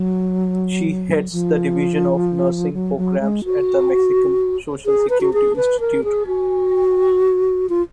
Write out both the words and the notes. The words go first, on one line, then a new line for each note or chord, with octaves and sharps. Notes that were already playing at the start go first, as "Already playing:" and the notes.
She heads the Division of Nursing Programs at the Mexican Social Security Institute.
Already playing: F#3
F3
F#3
F#3
G#3
F#4
G#4
B4
F#4
G#4
B4
A#4
G#4
F#4
F4